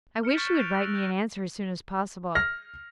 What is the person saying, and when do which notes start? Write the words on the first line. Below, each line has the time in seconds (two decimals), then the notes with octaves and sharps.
I wish you would write me an answer as soon as possible.
0.23 F6 C#7 D7 E7
0.35 C#6 F6 G6 A6 B6
0.47 F#6 G6
0.58 F6 G6 D7 F7
0.74 E6 F#6 A#6 B6
0.95 G6 A#6 E7
2.35 F6 A#6